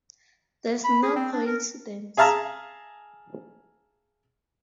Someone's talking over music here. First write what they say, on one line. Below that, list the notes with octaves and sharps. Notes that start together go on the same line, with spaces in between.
That's no coincidence.
B5
G#4
C4
D4
A#4
G#4 E5 F5 A5 A#5